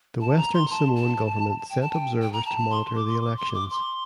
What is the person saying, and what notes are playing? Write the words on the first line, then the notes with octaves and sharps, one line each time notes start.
The Western Samoan government sent observers to monitor the elections.
A5
A#5
C6
A5
A5
G5
A5
G5
G5
A#5
A5
A5
C6
D6
C6
D6
C6
D6
C6